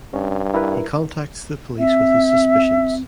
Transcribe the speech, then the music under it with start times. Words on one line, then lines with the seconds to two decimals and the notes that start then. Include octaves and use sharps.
He contacts the police with his suspicions.
0.13 G2 C#4
0.54 E4 A#4 B4
1.79 C4 E5